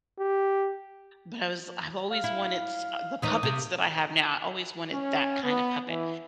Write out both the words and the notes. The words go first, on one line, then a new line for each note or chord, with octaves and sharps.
but I was I've always wanted s uh, the puppets that I have now, I always wanted that kinda puppet,
G4
F5
E4
D#2 E3 D#4 D#6
C3
C#4
B3
E3